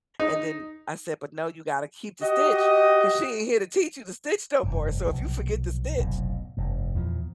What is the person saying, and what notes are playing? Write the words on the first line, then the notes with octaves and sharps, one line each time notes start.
and, then, I said, "But, no, you gotta keep the stitch 'cause she ain't here to teach you to stitch no more. So if you forget to stitch,
D#4
F#4 G4 D#5
F1 G2
B1 C3 F3
F1 B1 A2
F1 G2
E2 A#2 F3